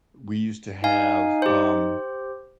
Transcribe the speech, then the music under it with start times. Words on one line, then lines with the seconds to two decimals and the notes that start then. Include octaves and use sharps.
we used to have um,
0.84 D#4 F5 G#5
1.42 G4 C5